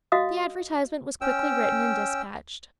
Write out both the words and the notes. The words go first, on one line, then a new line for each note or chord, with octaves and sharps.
The advertisement was quickly written and despatched.
F#4 D#5 F5 D#6
C#4 G5 E6